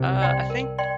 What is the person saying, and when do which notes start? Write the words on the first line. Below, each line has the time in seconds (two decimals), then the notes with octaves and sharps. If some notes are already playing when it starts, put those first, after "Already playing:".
Uh, I think
Already playing: C2 C3
0.21 D5 G5 C6
0.50 A#4
0.78 D5 G5 C6